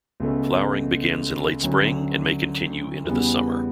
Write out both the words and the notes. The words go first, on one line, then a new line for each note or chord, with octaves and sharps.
Flowering begins in late spring and may continue into the summer.
C#2 B2 A3 C#4
D2 D3 F#3 C#4
E2 C#3 G3 B3